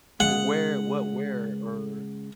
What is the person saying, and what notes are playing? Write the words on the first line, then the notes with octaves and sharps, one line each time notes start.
Well, where what where or
C#3 G#3 F#5